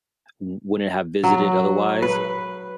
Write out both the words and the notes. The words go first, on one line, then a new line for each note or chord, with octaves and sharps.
w wouldn't have visited otherwise,
F#3
B4